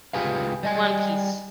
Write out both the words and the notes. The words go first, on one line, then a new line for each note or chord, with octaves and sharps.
One Piece.
C#2 F4 G4 G#4 B4 F5
G3 D#5 G#5